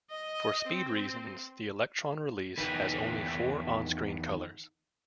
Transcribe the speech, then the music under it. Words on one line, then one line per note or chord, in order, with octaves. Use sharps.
For speed reasons, the Electron release has only four on-screen colours.
D#5
C4
E2 D#3 B4